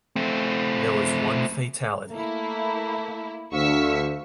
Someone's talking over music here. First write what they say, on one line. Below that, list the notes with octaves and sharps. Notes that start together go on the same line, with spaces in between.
There was one fatality.
A3 C4
A3 A#3 E4
D2 F5 C#6 E6 B6